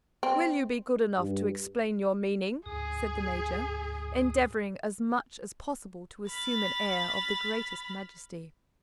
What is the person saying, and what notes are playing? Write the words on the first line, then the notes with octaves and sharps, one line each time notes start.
"Will you be good enough to explain your meaning?" said the major, endeavoring as much as possible to assume an air of the greatest majesty.
C4
G2
D2 G#2 G#4 D#6
B5 F6 A6